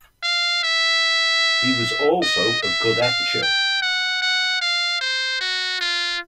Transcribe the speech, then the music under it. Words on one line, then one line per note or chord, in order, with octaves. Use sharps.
He was also a good etcher.
F5
E5
D#5
E5
F5
G5
F#5
F#5
F5
C5
F#4
F4